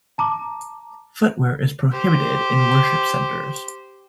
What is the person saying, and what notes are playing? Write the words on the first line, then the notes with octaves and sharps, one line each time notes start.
Footwear is prohibited in worship centers.
A5 A#5 D6
G4 C5